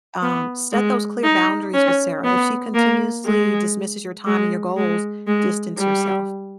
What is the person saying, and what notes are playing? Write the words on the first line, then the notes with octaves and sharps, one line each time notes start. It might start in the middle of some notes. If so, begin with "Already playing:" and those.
Um, set those clear boundaries with Sarah. If she continuously dismisses your time and your goals, distance yourself.
B3
G#3
D#4
C#4
B3
A#3
G#3
G#3
G#3
G#3
G3